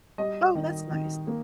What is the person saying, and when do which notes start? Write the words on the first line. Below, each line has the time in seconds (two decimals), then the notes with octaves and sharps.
Oh, that's nice.
0.18 G3 D#5
0.55 D#3
0.91 D#3
1.27 A#3